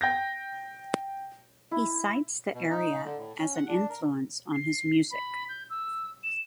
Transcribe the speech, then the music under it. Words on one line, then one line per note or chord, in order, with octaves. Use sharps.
He cites the area as an influence on his music.
G5 G6 A#6
E4
B2
D#4
D3
A2
C#4
F#5
D4
A#4
C7
B5
G6
E6
E7